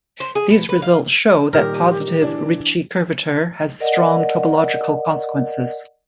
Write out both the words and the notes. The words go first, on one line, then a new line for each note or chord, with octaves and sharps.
These results show that positive Ricci curvature has strong topological consequences.
C5
G#4
B2
B4
F5
A#2 D#3 G3 G4 A#4
E3 D4
A#4 D5 D#5 F#5